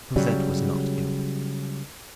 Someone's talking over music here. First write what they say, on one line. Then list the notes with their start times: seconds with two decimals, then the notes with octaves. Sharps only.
Cosette was not ill.
0.16 C#3 F#3 G3